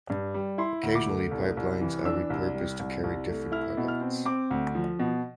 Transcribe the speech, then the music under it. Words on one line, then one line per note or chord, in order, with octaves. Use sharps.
Occasionally pipelines are repurposed to carry different products.
G2
G3
E4 C6
D2
D6
A3
C2
C2
E3
D4 E6
C2
G3
C2
C2
A3
E4 F6
B2
F6
C4
C4 D6
D2
F3
B2